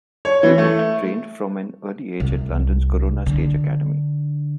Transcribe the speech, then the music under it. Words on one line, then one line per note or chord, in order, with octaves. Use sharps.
Haywoode trained from an early age at London's Corona Stage Academy.
C#5
E3
A3
C2
D3